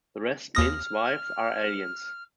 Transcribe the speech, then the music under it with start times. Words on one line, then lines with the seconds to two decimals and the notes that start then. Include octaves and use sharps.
The rest men's wives are aliens.
0.55 D#2 D#6 F6 A#6